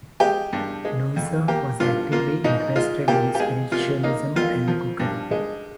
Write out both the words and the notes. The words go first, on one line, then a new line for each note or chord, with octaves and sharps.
Louisa was actively interested in spiritualism and cookery.
G#3 G4
G2
G#3
F2
A#3 G4
G2 F4
A#3 F4
G#2 D#4
G#3 F4
A#2 G4
G4
G#3 G#4
C3 F4
A#3 D#4
F2 F4
F3
G2
G#3